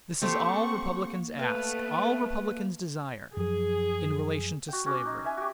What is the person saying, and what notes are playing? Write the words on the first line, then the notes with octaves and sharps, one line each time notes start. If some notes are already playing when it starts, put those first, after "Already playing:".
This is all Republicans ask--all Republicans desire--in relation to slavery.
A3 A#3 C4 G4 F#5 C#6
A3 B3 B4 F5
F#2 F3 F#3 G#4
F#4 G5
C#4 F#4 D6 E6
D#4
E5 G#5
F#4 G4